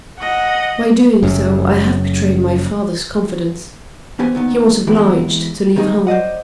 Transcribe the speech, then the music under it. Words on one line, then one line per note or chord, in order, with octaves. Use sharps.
By doing so I have betrayed my father's confidence--he was obliged to leave home.
D#5 F#5
F#1 F#2
E2 B3 G4 C5 G#5
A#2 D#3 B3
E3 G#3 B3 E4 F#4 G4
D#3 B3 C4 D#4 G#4
C5 D5 D#5 F#5